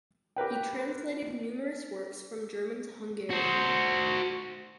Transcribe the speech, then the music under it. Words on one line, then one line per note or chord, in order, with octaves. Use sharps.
He translated numerous works from German to Hungarian.
G4 A#4 B4 G5
F#4 C5